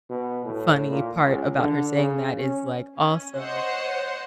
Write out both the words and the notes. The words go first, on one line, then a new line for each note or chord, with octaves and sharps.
funny part about her saying that is, like, also
B2
A2
A#2
C#2
D3
C#3
C#4
C#4
C5 C#5 D#5 F#5 C6